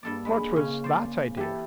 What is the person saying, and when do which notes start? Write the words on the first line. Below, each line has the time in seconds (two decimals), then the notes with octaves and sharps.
"What was that idea?"
0.03 G2 A#3 A4 D5
0.25 G#3 B5
0.56 C#3 C#4
0.84 C5 D5
1.37 E3 G4 A4